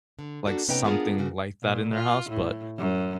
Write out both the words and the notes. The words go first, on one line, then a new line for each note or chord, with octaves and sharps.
like, something like that in their house, but
D3
A#3 D4 F#4 A4
C3 B3 C#4 D#4 B4 G5
B3 D4 F4 G#4 A#4 F#5
G2 C#3 A#3 F#4
A#2
F4
A2
F#2